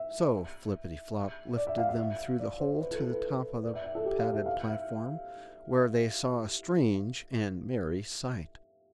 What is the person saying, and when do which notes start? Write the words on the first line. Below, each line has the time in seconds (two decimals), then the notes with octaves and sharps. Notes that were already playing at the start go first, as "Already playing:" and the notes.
So Flippityflop lifted them through the hole to the top of the padded platform, where they saw a strange and merry sight.
Already playing: E5
1.57 D5
1.67 E5
1.78 F5
1.89 E5
2.39 D5
2.60 C5
2.80 B4
2.91 A4
3.02 A4
3.12 B4
3.63 D5
3.74 E5
3.84 E5
3.95 A4
4.05 G4
4.19 F5
4.33 E5
4.46 F5
4.67 E5